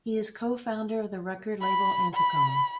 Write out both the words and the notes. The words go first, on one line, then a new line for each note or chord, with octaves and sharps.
He is co-founder of the record label Anticon.
B5
B5